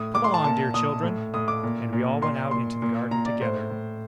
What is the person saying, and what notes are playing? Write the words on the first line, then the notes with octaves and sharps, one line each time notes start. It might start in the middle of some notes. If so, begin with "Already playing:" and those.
"Come along, dear children!" And we all went out into the garden together.
Already playing: A2 D#6
A2 D6
C6
A5
A#2 A5
A#2 D#6
A2
A2 D#6
D6
A#2
A#2
A#2 C6
A#2 C6
A#2
A#2 A#5
D5
A2 C5
A2